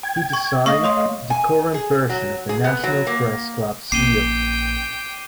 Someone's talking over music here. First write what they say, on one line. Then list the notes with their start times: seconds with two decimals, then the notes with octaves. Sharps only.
He designed the current version of the National Press Club seal.
0.03 G5 G#6
0.33 C#6
0.66 A3 D#5 F5 C#6 D#6 A#6
0.84 C#5 C6 D#6
1.30 G#5
1.74 G#4
2.10 F#3
2.49 G#4
2.64 B3
2.84 F#3
3.07 A#3
3.92 A#1 A#3 C#4 G5 D6 C7 D#7 G7